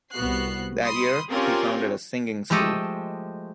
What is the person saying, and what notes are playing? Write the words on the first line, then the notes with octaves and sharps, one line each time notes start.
That year he founded a singing school.
C2 B3 F#4 F#6 C7
B5 C6 D#6
C4 C#4 F4 G4 A#4 C#5
F3 G#3 A3 G4 A4 D#5